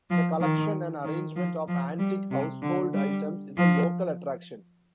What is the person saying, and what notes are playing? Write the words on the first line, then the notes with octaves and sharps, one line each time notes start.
The collection and arrangement of antique household items is a local attraction.
F3
D#3
D#3
F3
F3
G3
C3
D3
G3
F3